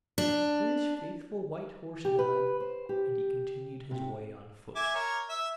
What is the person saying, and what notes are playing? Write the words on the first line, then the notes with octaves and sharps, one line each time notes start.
His faithful white horse died, and he continued his way on foot.
D4
G4
B4
C5
G4
C3
E5 G#5 D6
A#4 C#5
E5 E6